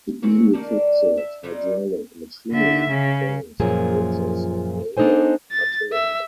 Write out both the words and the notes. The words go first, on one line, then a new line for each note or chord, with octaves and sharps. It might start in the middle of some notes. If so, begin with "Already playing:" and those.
It manufactured hydraulic machinery, cranes and bridges and, later, artillery.
C4 C#4 F#4 A#4
D#3 A#3 D4
E5
F#3 G3 D#4 F4
D3 E5
C#3
F#2 A#2 F3 A#3 G#4
B3 D4 D#4 A4 C5 G#5
A6
E5